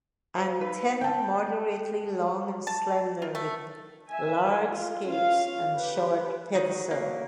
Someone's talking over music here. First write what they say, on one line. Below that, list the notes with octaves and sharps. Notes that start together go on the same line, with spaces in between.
Antenna moderately long and slender with large scape and short pedicel.
C5 F5
D#4 B4
G5 A5
A5
F4
A3
E5 G#5
F4
C#4 F4 F5
G4 B4
D#3 F#3 D#4
A#3